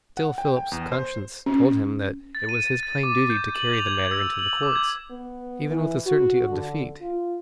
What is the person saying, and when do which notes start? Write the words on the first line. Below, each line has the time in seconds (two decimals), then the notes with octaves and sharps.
Still Philip's conscience told him that it was his plain duty to carry the matter into the courts, even with the certainty of defeat.
0.17 F#5
0.38 G5
0.57 G5
0.72 E2
0.92 C5
1.46 C#4
2.35 A6
2.49 D#7
2.83 A6
3.03 D6
3.30 G6
3.55 F#7
3.73 F7
3.87 G#6
4.11 E6
4.39 F#7
4.63 D6
4.76 G#6
5.11 B3
5.70 E3
6.06 F#4
6.49 D3
7.01 F4